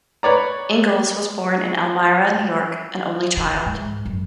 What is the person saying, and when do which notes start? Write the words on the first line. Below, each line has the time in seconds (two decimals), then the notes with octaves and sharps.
Ingalls was born in Elmira, New York, an only child.
0.23 B4 C#5 D5 A#5
3.37 D3
3.66 G#2
4.05 F#2